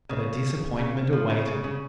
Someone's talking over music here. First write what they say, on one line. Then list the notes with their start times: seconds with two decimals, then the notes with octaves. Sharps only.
But a disappointment awaited.
0.09 C#3
0.79 C#3
1.13 F3
1.30 C#3
1.47 C#3
1.64 C#3